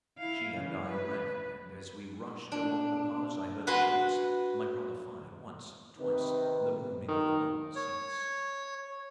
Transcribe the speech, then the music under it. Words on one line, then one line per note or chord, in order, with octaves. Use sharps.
She and I ran, and as we rushed along the path I heard shots. My brother fired--once--twice--and the booming of the gong ceased.
E4 F5
C#3 E3
B4
D4
F#4 B4 G#5 C6
C3 D#3 B4
D#3
C#5